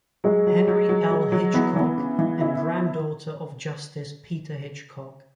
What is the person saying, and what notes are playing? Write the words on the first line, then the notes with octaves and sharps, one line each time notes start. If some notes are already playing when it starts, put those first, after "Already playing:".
Henry L. Hitchcock and granddaughter of Justice Peter Hitchcock.
F#3 G#3
F#3
F#3
F#3
F#3
F#3
E3 B3
E3 B3
C#3
E3
E4